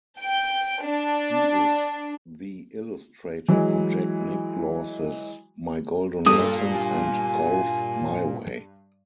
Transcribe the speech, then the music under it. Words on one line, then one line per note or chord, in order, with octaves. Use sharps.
He is the illustrator for Jack Nicklaus's "My Golden Lessons" and "Golf My Way".
G5
D4
E3 F#3 G#3
G2 A#2 A4 D#6
G#5